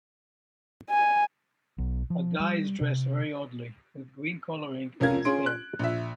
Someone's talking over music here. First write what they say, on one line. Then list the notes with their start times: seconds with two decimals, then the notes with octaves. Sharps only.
A guy is dressed very oddly, with green coloring in his hair.
0.90 G#5
1.78 B1
2.10 F3
2.40 G3
2.81 C3
5.00 F1 C#2 C#4 A#4 F5 G#6
5.25 C#4 F4 G#4 C6 D7
5.46 F#6
5.79 A#1 E5